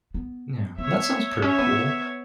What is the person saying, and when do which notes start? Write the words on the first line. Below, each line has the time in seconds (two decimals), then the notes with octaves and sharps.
Yeah. Well, that sounds pretty cool.
0.14 B3
0.78 B3 C#5 E5
1.42 C#4 C#5 E5
1.59 B3